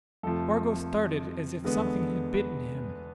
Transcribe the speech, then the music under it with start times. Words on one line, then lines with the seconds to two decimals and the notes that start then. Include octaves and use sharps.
Spargo started as if something had bitten him.
0.23 F2 C3 F3 A3 A4
1.64 E2 D3 G#3 B3
2.34 B4